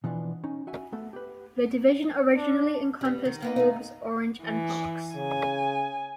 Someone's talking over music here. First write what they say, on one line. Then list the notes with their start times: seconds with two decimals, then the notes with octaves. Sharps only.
The division originally encompassed Forbes, Orange and Parkes.
0.04 B2 E3 F3 B3 D4
0.44 C#4 D#4
0.67 F#4 E5 G#5
0.92 A3 B3 A4
1.13 G4 B4
2.36 D4
3.01 G3 B3
3.25 D#3
3.42 A#3 B3 D#4
3.56 D#3 A3 D#4
4.43 E3
5.15 C#3 G#5